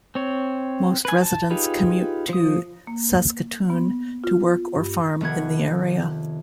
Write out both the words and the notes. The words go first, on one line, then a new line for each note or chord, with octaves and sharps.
Most residents commute to Saskatoon to work or farm in the area.
C4 C#5
B4 G#5
A5
D#4 F4 G4 G#4 B4
F3 D#6
A#3
B3
F4
G2
F1 D#3 B3 F#5 G#6